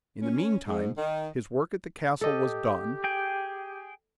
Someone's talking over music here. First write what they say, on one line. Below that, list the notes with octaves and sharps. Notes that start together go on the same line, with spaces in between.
In the meantime, his work at the Castle was done.
C#4
G#2
D#3
G4 A4 D#5
G#4 G5